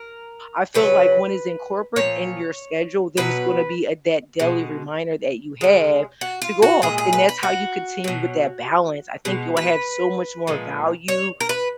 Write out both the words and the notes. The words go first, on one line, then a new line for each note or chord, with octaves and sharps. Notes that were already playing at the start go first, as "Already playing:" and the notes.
I feel like when it's incorporate in your schedule, then it's gonna be a that daily reminder that you have to go off. And that's how you continue with that balance. I think you will have so much more value
Already playing: A#4
C#3 F#3 B4
A#2 F3 C#5
B2 F#3 B4
B2 G#3
C#3 G#3
F#4
F4
F#4
A#2 G#3 G#4
G#4
B4
B4
F#4
B2 F#3
B2 G#3
B4
A#2 F3 G#3
C#5
A#4
B4